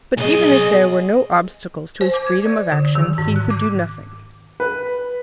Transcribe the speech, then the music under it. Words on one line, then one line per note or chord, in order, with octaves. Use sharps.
But even if there were no obstacles to his freedom of action he would do nothing.
B1 G#4 D#5
C5
D6
G#6
D5
D3
D#3
G#2
F#6
D6
B4